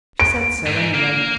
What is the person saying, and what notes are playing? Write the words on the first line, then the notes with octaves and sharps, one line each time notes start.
She said so, anyway.
D7
G#2
A#3